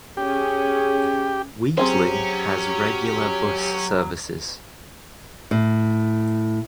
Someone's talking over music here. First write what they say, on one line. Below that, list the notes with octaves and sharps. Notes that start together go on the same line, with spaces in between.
Wheatley has regular bus services.
C#4 G4 G#4
F#3 C4 C#4 G4 G#4 C5
A2